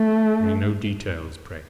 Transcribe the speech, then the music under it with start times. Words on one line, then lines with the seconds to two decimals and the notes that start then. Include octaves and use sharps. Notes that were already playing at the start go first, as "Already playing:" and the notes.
Only no details, pray.
Already playing: A3